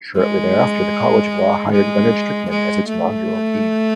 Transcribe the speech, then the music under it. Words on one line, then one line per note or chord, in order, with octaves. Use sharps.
Shortly thereafter, the College of Law hired Leonard Strickman as its inaugural Dean.
G#3
G#3
G#3
A3